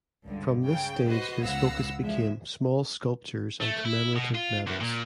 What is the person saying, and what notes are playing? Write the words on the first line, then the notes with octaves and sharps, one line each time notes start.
From this stage his focus became small sculptures and commemorative medals.
C#2 G2 D3
C#3 G5
F#4 B4 C5 D#5
C#2 B3 F5 F#5 E6 A#6
E2 F3 G#3 E5
A3
E4
B2
F4
E2
A#2